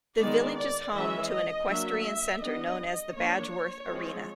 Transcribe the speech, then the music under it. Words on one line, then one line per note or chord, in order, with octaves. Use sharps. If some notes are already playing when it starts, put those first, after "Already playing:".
The village is home to an equestrian centre known as the Badgworth Arena.
D#3 G#3 B3 D5
D5
E3 G#3 C#4 E5
D#5
F#3 A#3 D4 E5
G3 B3 D4 D#5
F3 A#3 D4 C#5
F3 G#3 C4